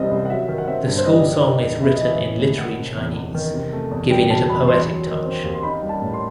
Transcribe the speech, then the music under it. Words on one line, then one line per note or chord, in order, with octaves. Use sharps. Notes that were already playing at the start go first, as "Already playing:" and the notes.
The school song is written in literary Chinese, giving it a poetic touch.
Already playing: C2 C3 E3 C5 D#5
C2
F#5
F#3 E5
D#3
F#5
C4 E5
G2
C5
G3 D#5
D#3
D#4
E2
B3 E5
D#5
E3
E5
A2
A2
D#3 F#5
C3
E2
E2
D#3
C3
A3
E2
G3 G5
B2 A5
E2 B5
E2 C6
F#3
D#3
C4
D#2
C6
D#4 B5
G3
A5
A2
C6